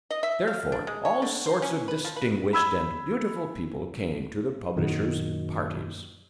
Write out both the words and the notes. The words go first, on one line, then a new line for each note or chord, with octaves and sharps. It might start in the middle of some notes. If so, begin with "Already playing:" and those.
Therefore, all sorts of distinguished and beautiful people came to the publisher's "parties."
D#5
E5
F5
D4
G#3
C#5
D3
C5
C#4
B4
F3
B4
B5 E6 G#6
F#2 A#2 D#3 F#3